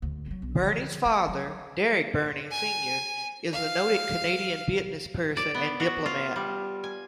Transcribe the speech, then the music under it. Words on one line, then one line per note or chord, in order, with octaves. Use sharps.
Burney's father, Derek Burney Senior is a noted Canadian businessperson and diplomat.
D2 G#2
F#3 A3
B1
D3 F3
A3
F#3
G#5
F5
D5
B3
F#4
F4
G3
G#5